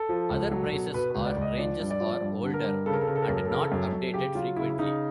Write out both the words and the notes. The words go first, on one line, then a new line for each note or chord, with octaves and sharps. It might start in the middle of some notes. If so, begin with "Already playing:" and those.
Other prices are ranges or older and not updated frequently.
Already playing: A4
F3
C#2
F#3
B2
B2 B4
C#2 B4
D5
C#2 D#5
F3 D5
G2
D5
F3
G2
D3
A#4
G2
C#3 A4
A#4
A4
C#3 A#4
A4
A#4
F#2 A4
A#4
A4
C#3 A#4
A4
A#4
F#2 A4
F#2
C#3 G4
F#3 F4
C#3 E4
E4
C#3 D#4